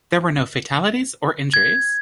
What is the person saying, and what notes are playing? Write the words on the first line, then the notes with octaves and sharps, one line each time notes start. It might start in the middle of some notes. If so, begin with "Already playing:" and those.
There were no fatalities or injuries.
G#6